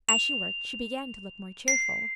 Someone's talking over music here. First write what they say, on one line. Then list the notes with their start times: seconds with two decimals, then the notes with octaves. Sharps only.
As she worked she began to look more cheerful.
0.09 F7
1.68 C7